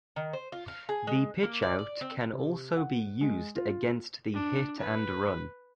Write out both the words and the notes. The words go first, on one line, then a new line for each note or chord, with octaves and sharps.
The pitchout can also be used against the hit and run.
D#3
C5
F4
F5
G#4
G#3
A#3
D5
D5
C4
C3
F#5
G#3
F4
D4
B4